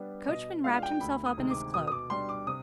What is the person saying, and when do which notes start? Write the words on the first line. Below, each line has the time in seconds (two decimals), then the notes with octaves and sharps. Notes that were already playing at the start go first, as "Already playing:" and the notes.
The coachman wrapped himself up in his cloak.
Already playing: G3 B3 D4
0.28 B2 D#5
0.64 G#3 D4 F4 F5
0.83 G5
1.01 D2 B5
1.26 D#6
1.38 C3 D#3 G#3
1.50 D6
1.74 B2 D#6
1.87 D#6
1.92 D6
2.10 G3 D4 C6
2.29 D6
2.47 C3 D#6